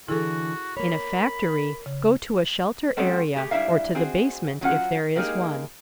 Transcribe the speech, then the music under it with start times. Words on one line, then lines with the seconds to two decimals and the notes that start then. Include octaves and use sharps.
In a factory, go to a shelter area, or to the basement if there is one.
0.08 D3 E3 E4 F#4 G#4 A4
0.77 A#3 C#5 B5
1.86 C#3
2.97 G#3 C4 C#4 F#4 G4 A4
3.36 A3 G4 G#4
3.51 G#2 G3 D4 E4 E5 F5
3.95 C4 F#4 G#4
4.61 F#3 C#4 F4 F#5
5.16 F#3 G#3 A#3 D#4 G4 G#4